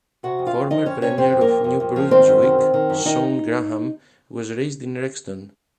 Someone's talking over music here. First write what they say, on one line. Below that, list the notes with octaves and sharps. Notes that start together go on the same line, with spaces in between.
Former Premier of New Brunswick, Shawn Graham, was raised in Rexton.
C3 F#4 F#5
F2
F4 F5
F2
F3 D#4 D#5
F2 C#4 C#5
C3 C#4 C#5
F2 C4 C5
F2
A#3 A#4
F2
F2
F2
F3
D#3 C4 C5
F#2
D#3
D#3
D#3
F#2
D#3 D#4 D#5